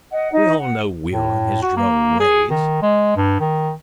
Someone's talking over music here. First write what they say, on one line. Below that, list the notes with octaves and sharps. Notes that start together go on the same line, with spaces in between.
"We all know Will and his droll ways."
D#5 F#5
D#4
F#5
A2
F#4
A#3
G#4
D#3
G#3
G2
D#3